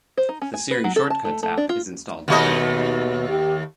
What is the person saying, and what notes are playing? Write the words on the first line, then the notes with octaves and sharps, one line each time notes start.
The Siri Shortcuts app is installed by default.
C5
D#4
C#4
G#5
B4
F#3
A4
A5
A3
A3
D4
F4
D#2 B2 A3 D#5
G4